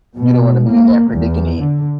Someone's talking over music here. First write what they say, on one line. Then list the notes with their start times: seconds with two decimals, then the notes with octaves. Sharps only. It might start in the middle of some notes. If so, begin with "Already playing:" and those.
You don't wanna be in that predicament.
0.16 B2
0.69 A#3
1.11 E2
1.59 D3